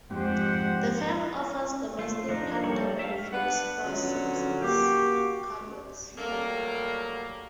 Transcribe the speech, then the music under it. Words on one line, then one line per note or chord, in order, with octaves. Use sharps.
The firm offers domestic partner benefits for same-sex couples.
F2 G#2 G4 C5 F#5
A3 F4
F3 D4 D#4
G3 A4 C#5 C#6
E5 F5
B3 D4 B4 F#5
D3 F3 F#3 C#4
A#3 F#4 G4
F#3 G3 A3 A#3